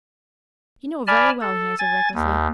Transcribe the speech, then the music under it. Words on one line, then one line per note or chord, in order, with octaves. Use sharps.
"You know very well," he answered recklessly.
D5 G#5 A5 B5 F6
A4
G#5 A6
D#2